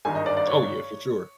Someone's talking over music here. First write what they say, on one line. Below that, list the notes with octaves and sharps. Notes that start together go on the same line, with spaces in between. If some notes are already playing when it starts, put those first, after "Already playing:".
Oh, yeah, for sure.
G#1 G2 D#3 G#5
D#5
D5
D5
C#5